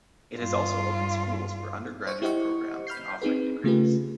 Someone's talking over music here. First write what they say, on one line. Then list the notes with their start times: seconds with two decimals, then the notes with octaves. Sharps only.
It has also opened schools for under graduate programs and offering degrees.
0.38 G2 F4
2.07 C5 C#6
2.22 E4 G4 C5 D#5 F#5 C#6
2.87 B5 F6 G6 C7
3.22 C4 D#4 G#4 B4
3.64 C#3 A3 F4 G4 G#4 B4